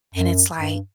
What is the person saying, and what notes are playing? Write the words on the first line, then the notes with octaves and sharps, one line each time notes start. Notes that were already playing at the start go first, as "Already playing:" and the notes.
and it's like
F#2
G2